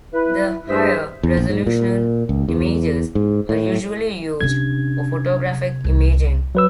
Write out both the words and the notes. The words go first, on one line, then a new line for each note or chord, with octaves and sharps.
The higher-resolution images are usually used for photographic imaging.
E4 B4
G2 G#4 C5 E5
E2
A#1
G#2
A#2
C#2
E2
G#2
A2
C3 C#4 D4 G#6
C2
F#3 B4 E6